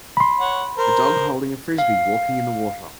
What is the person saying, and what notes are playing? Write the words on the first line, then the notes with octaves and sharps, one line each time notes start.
A dog holding a Frisbee walking in the water.
B5 C6
C#5 F#5
A#4 C5
F5